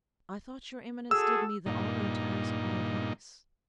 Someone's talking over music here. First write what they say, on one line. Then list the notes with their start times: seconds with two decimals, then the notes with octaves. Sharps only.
"I thought your eminence did me the honor to ask my advice?"
1.11 F#4 G#4 A4 E6
1.66 G2 A#2 D#4